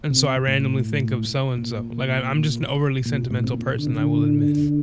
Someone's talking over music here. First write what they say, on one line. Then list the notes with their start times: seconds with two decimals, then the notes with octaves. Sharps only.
and so I randomly think of so-and-so. Like, I I'm just an overly sentimental person, I will admit.
0.10 C3
0.48 A2
1.58 A#2
3.06 A#2
3.31 A2
3.44 C3
3.54 A#2
3.79 D3
3.87 C3
3.95 D3